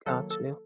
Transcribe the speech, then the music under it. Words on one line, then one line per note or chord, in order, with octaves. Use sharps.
Got you.
D#3 F#3 A#3 A4
A4